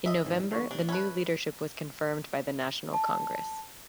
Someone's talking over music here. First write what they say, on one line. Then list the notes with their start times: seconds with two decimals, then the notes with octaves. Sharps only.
In November, the new leadership was confirmed by the national congress.
0.06 D#5 E5
0.25 G#1 E3 D#4 E4 C#5
0.51 A#1 D3 A#3 C#6
0.71 C3 D4
0.89 C#4 B4 E5 A5 B5
2.94 A5